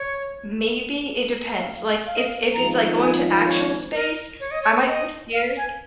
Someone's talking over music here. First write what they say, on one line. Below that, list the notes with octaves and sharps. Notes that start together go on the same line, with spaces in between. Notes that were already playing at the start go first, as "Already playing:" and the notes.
maybe it depends, like, if if it's, like, going to actual space, I might be scared,
Already playing: C#5
D#5
F5
F5
D#5
F5
G#1 G#2 F3 A#5
G#5
A#4
C#5
A#4
C#5
D#5
C#5
D#5
F5
G#5